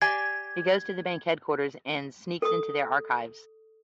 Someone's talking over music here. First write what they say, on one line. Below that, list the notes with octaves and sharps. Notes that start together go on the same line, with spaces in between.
He goes to the bank headquarters and sneaks into their archives.
G4 D5 G#5 G#6
A4 D#6